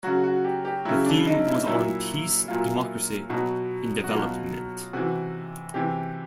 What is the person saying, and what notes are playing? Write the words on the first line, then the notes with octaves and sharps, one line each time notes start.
The theme was on peace, democracy, and development.
C#3 F#3 F#4
F#4
G4
G4
C#3 F#3 E4
D4
D#4
E4
A#2 F#3 E4
A#2 F#3 F4
B2 F#3 F#4
F#4
B2 F#3 F4
C3 E3 F#4
C3 E3 G4